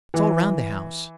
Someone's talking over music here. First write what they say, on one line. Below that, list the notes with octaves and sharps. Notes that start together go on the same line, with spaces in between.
It's all round the house.
E3